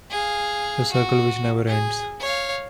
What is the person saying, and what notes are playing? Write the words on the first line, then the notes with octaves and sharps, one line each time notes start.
The circle which never ends.
G#4 F5
F#4
G#4
C#5 F5